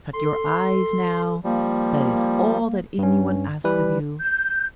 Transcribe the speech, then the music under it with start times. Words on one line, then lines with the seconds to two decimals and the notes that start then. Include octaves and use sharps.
Shut your eyes now; that is all that any one asks of you.
0.14 A4 C6
1.44 F3 G3 A#3
2.99 G2 C#4
3.64 E3 G3 B4
4.20 G6